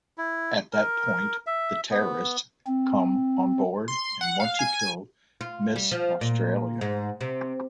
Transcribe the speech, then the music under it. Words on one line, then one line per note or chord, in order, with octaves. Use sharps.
At that point, the terrorists come onboard and want to kill Miss Australia.
E4
A#4
E5
B3
C4
C6
F#5
F5
G#5
G#5
F4
G3
F3
A#2
G#2
C3